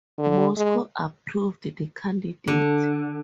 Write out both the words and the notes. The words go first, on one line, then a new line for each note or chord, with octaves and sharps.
Moscow approved the candidate.
D3
G#3
D3